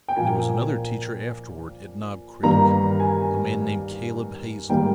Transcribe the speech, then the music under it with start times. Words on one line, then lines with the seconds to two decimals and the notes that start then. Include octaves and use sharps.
There was another teacher afterward at Knob Creek--a man named Caleb Hazel.
0.08 G5
0.16 A#2 F3 A#3 G#5
2.43 G2 D#3 G3 A#3 A#5
3.00 G#5
4.69 G#2 D#3 G3 A#3 G5